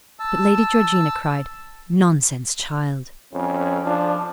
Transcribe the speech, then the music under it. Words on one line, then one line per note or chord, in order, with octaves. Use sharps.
But Lady Georgina cried, 'Nonsense, child!
A5 E6
F2 C#4
F3 D4